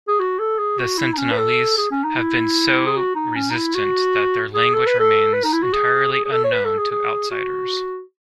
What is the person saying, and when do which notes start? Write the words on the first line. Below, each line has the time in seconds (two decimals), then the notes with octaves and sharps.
The Sentinelese have been so resistant that their language remains entirely unknown to outsiders.
0.08 G#4
0.19 F#4
0.39 A4
0.58 G#4
0.78 F#4
0.98 E4
1.13 D#4
1.18 C#4
1.32 B4
1.38 A4
1.77 G#4
1.91 C#4
2.04 D#4
2.16 E4
2.86 G#4
2.97 F#4
3.15 D#4
3.36 C#4
3.50 D#4
3.55 E4
3.75 F#4
4.54 G#4
4.74 A4
4.86 B4
4.99 A4
5.33 B4
5.44 D#4
5.53 E4
5.63 F#4
5.73 G#4
6.12 G#4
6.24 G#4
6.31 A4
6.44 C#5
6.52 B4
6.65 A4
6.78 G#4
6.91 G#4
7.31 F#4